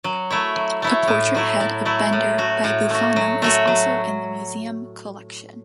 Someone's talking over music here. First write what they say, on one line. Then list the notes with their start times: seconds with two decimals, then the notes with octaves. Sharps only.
A portrait head of Bender by Bufano is also in the museum collection.
0.04 F#3
0.30 A3 E4 C#5
0.56 F#3
0.82 A3 E4 C#5
1.08 A2
1.35 F#3 A3 E4
1.60 A2
1.85 F#3 A3 E4
2.13 A2
2.38 A3 F#4
2.64 A2
2.90 A3 F#4
3.16 F#3
3.42 A3 F#4 C#5
3.67 F#3